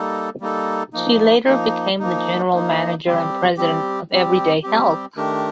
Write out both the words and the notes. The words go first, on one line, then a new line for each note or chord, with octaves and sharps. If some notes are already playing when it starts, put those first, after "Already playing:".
She later became the general manager and president of Everyday Health.
Already playing: G3 A#3 D#4 A4
G3 A#3 D#4 A4
F3 A#3 D#4
F3 A#3 D#4
F3 A#3 D#4
F3 A#3 D#4
G3 C4 G4
G3 C4 G4
G3 C4 G4
G3 C4 G4
D#3 A3 D4 G4 A#4